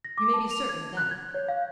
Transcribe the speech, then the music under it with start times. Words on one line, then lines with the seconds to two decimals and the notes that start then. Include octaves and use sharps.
You may be certain of that.
0.04 A#6
0.18 D6
0.34 A5
0.51 F7
0.69 G#6
0.97 F#6
1.11 G#6
1.34 C#5
1.48 F5